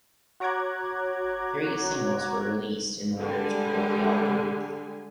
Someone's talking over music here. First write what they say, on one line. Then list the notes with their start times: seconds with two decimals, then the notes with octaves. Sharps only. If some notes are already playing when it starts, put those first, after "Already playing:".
Three singles were released in order to promote the album.
0.40 F#4 C#5 A#5 D6 F#6 G#6
3.19 D3 G3 G#3 G#5